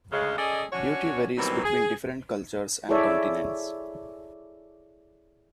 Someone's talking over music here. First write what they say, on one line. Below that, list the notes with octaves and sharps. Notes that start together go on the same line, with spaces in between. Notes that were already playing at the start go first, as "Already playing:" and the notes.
Duty varies between different cultures and continents.
D2 C#3 G#3
C#4 G#4 A4 D5 D#5
C#4 D4 F#4 C#5
B2 D#3 E3 F#3 G3 C4
G#4
E4 G#4 A4 C#5 D5 E5